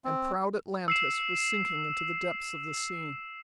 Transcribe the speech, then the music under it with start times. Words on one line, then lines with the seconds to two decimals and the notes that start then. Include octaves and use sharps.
And proud Atlantis was sinking into the depths of the sea....
0.05 C4
0.88 E6 C7 E7